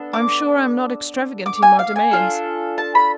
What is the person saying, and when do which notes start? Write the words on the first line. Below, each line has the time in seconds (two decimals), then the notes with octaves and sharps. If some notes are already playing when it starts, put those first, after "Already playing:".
I am sure I am not extravagant in my demands.
Already playing: B3 D4 A4
0.13 D6
1.46 D6
1.62 G#5
1.79 F5
1.96 G#5
2.11 D4 F4 A4
2.78 A5
2.95 B5